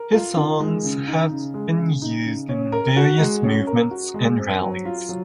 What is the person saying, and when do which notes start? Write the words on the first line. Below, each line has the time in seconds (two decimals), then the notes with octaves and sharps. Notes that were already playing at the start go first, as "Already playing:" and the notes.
His songs have been used in various movements and rallies.
Already playing: A#4
0.13 F4
0.36 D#3
0.60 G#3
0.84 C#3
1.08 D#4
1.31 C#3
1.54 G#3
1.78 C#3
2.02 D#4
2.25 C#3
2.49 C#4
2.72 A#4
2.97 F#4
3.20 G#3
3.44 C#4
3.67 A#4
3.91 F#4
4.14 G#3
4.38 C4
4.61 F#3
4.85 F4
5.09 F#3